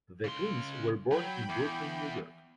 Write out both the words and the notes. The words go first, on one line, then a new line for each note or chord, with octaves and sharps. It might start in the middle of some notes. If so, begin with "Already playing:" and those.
The twins were born in Brooklyn, New York.
C#3 C6
F#3 G5 B5
E2